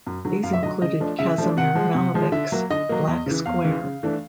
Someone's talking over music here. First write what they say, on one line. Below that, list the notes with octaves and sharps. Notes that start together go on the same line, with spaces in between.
These included Kazimir Malevich's "Black Square".
F#2
D3 F#3
F#2 F5
E5
D3 F#3 D#5
C#3 D#5
F3 A3 D4
C#3 E5
F3 A3 D4
C3 F#5
F3 G#3
C3
F3 G#3
D3 E5
F#3 A#3
D3 D#5
F#3 A#3
E2
C#3 E3
E2 F5
C#3 E3
C#3
E3 A3 D4